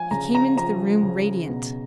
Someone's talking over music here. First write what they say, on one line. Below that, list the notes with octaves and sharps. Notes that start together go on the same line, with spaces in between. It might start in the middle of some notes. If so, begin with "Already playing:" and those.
He came into the room radiant.
Already playing: F3 G#5
C#3 A#5
A#5
F3 A#5
C#3
B2